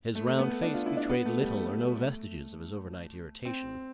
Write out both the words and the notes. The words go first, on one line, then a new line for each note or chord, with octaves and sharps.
His round face betrayed little or no vestiges of his overnight irritation.
A3
A3
B3
A3
D4
F4
E4
D4
B3
A3
G3
A3
C4